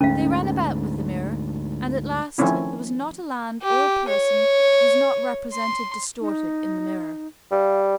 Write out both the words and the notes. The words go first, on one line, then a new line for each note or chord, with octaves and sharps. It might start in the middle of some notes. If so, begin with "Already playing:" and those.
They ran about with the mirror; and at last there was not a land or a person who was not represented distorted in the mirror.
D2 G#2 C#4 F5
D#3 F3 A3 C4 C#4 E4
G4
C#5
C6
D#4
G3 F5